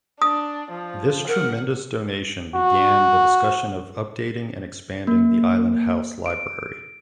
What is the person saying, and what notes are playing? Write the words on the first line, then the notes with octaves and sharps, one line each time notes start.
This tremendous donation began the discussion of updating and expanding the Island House Library.
D4 D#6
F3
A#4 F#5
F#4
A#3
D7